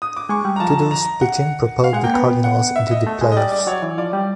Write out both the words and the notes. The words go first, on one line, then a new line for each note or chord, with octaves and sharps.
Tudor's pitching propelled the Cardinals into the playoffs.
D#6
D6
G#3 C#6
G3
A#5
F3 A5
A#5
F#5
F5
G#3 F#5
A#3 G5
B3
F#5
E5
D#5
A3
G#3
D#5
G3 D5
D5
F#3 C#5
E3
F3 D5
G3